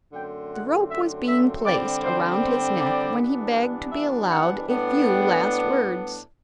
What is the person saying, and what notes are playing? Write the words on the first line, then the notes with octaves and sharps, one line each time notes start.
The rope was being placed round his neck, when he begged to be allowed a few last words.
F#2 D3 A3 C4 G5
F#5
E5
E5
D3 G3 C4 D5
C5
C5
D5
G2 E3 B3 D4
E5
F#5
A2 G3 B3 D4
G5